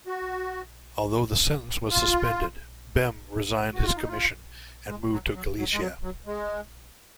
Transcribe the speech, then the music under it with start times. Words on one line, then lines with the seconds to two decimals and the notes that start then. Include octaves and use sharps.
Although the sentence was suspended, Bem resigned his commission and moved to Galicia.
0.07 F#4
1.90 F4
3.74 F#4
3.85 F4
3.96 D#4
4.08 F4
4.89 G#3
5.12 F#3
5.35 F#3
5.57 F#3
5.73 G#3
5.81 F#3
6.03 F#3
6.26 G#3